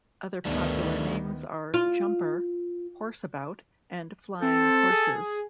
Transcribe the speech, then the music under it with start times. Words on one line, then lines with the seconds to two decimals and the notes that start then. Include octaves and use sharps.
Other popular names are jumper, horseabout and flying horses.
0.45 D2 D#3 G3 A3 B3 D4
1.74 F4
4.42 C4 A4
4.91 G#4